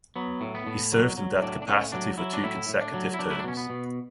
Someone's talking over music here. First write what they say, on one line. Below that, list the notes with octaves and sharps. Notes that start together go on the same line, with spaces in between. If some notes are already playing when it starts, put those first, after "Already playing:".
He served in that capacity for two consecutive terms.
F#3 B3
A2
B3
A2
F#3
F#3
A2 D4
D4
A2 C#4
F#3 D4
F#3 E4
D4
A2 E4
A2
D4
F#3
E4
F#3 D4
E4
D4
B2 C#4
B3
B2